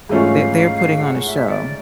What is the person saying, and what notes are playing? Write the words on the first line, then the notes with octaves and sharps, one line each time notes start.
They're they're putting on a show.
G#2 E3 A3 C#4 F4 F5
F#5
E5
D5